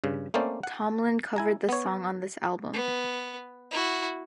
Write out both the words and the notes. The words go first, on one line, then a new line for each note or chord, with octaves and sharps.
Tomlin covered the song on this album.
G2 C#3
A3 A#3 C4 C#4 C5 D5
F#5
E4 G#5 A#5
B3 C#5
B3
E4 F#4